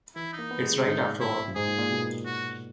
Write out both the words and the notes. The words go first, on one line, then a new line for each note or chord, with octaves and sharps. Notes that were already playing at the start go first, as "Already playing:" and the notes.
It's right, after all!
E3 E4
D#4
A#3
B3
G#3
C#3
G#2 D#4
E4
F#2
G#2 G#4
A#2
A#2
B2
F#4